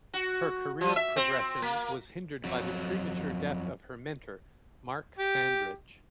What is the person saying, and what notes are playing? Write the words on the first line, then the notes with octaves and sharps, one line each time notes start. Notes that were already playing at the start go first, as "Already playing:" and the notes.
Her career progression was hindered by the premature death of her mentor, Mark Sandrich.
F#4
F3
E5
C4
A#3
F2 F#3
G4